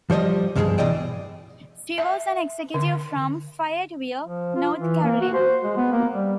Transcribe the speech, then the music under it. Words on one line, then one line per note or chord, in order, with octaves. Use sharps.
She was an executive from Fayetteville, North Carolina.
F3 G3 C5 C#5 D#5
C#2 G2 F3 F#3 G#3 G#4
B2 E3 D5 D#5 G5
E5
D3
F3
F4
E3
A#3
F#4
C5
G#3
B3
A#3
G3